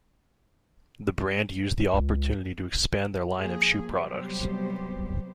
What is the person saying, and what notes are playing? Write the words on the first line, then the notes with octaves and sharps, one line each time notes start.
The brand used the opportunity to expand their line of shoe products.
C#2
F3 A#3 G#4
C3 F#3 G3 B3 G4 C5